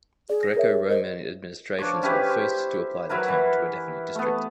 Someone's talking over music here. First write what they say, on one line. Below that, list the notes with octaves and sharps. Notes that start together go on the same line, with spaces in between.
Greco-Roman administrations were the first to apply the term to a definite district.
G#4 D5
A#6
A#4 C#5 E5
A#4 C5 D#5
F3 D4 C#5 D6
C#4 E4 G4 B4
C5
F#3 E4 A#4 B4
E3
A3 B3